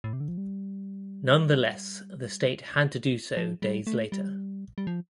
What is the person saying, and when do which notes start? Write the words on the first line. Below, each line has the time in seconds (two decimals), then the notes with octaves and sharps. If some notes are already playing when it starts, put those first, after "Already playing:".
Nonetheless the state had to do so days later.
0.04 A2
0.13 C3
0.20 D3
0.28 F3
0.38 G3
3.37 F3
3.62 G3
3.87 A3
4.12 G3
4.78 G3
4.87 F3